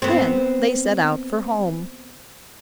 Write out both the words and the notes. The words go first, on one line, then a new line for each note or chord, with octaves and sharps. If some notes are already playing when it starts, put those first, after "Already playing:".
Then they set out for home.
B3 C4